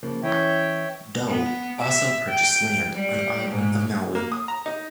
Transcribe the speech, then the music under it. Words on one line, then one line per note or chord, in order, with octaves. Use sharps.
Dole also purchased land on the island of Maui.
C#3 F3 A#3
E3 C#4 C#5 E5 G5
B3
E5
G5
G3
G#2
A#3
D#6
A#5
D#4